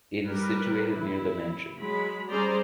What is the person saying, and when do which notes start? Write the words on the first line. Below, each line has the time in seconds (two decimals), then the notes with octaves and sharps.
It is situated near The Mansion.
0.24 G3 A#4 B4
0.93 E4
1.79 F#3 G#3 B5
2.30 G3 C#4 G#4 C5 D5 A#5